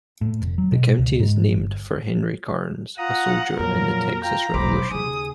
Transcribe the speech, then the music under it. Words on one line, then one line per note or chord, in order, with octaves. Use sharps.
The county is named for Henry Karnes, a soldier in the Texas Revolution.
A2
F1
F#3
B2
C#2
G#2
G1
F4 F#5 A#5 D#6
F2 A#2 F3 F#3 A#4
F4 G5 A#5
E1 B1 C5 B5 D6
D#2 C#3 G#4 D#6